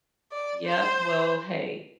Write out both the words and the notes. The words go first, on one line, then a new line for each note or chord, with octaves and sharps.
Yup, well hey,
D5
C5